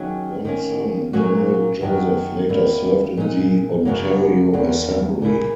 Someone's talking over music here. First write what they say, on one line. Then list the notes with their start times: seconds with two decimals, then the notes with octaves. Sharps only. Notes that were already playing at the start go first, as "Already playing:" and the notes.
One son Donald Joseph later served in the Ontario assembly.
Already playing: D#2 D#3 F#3 C#4 G#4
0.45 D#3 A#3 C#4
1.13 A#2 F#3 A#3 C#4 F#4
1.81 F#2 D#3 F#3
2.49 E2 D#3 A#3 E4
3.17 A#2 G#3 B3 D#4
3.85 F#2 C#3 F#3 A#3
4.53 E2 D#3 A#3
5.22 A#2 A#3 E4 G#4